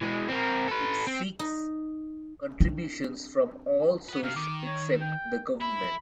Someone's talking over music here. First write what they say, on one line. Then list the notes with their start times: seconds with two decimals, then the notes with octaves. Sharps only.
It seeks contributions from all sources except the government.
0.01 E3 G#3
0.29 C4 A#4
0.68 A4 B4
1.07 C4
1.39 D#4
2.60 C4 D4
4.09 B4 F#5
4.23 C3 F5
4.36 D#3 D6
4.66 C#5
5.01 G5
5.61 E4 B5